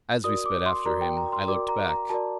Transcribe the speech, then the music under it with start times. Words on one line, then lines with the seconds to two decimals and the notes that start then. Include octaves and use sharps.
As we sped after him I looked back.
0.24 F#4 A#4 D5 D#6
0.46 D6
0.66 C6
0.86 F#4 A#4 D5 A#5
1.01 G5
1.17 A#5
1.32 C6
1.48 F#4 A#4 D5 D6
1.69 A#5
1.89 A#5
2.09 F#4 A#4 D5 A5